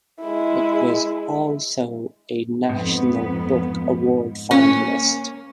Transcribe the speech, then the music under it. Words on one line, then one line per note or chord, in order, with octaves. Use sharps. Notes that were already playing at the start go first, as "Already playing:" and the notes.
It was also a National Book Award finalist.
G#3 E4
F2 G#2 B3
A#3 C#4